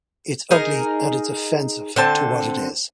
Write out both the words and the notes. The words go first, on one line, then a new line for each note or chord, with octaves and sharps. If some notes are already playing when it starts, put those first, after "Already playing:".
It's ugly and it's offensive to what it is.
D#4 G#4 A#4
D3 C4 A5